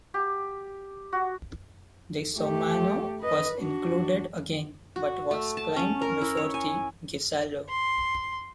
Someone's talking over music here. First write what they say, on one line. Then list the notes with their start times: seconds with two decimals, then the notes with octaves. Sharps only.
The Sormano was included again, but was climbed before the Ghisallo.
0.14 G4
1.12 F#4
2.37 A3 G4
3.20 B4 D#5
3.58 D4 F#4
4.96 F#4
5.31 A3
5.57 A5
5.76 C#4
6.01 A#4
6.21 E4
6.37 C#5
6.54 G#5
7.69 C6